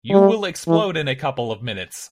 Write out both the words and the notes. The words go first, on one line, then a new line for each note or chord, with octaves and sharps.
You will explode in a couple of minutes.
G3
E3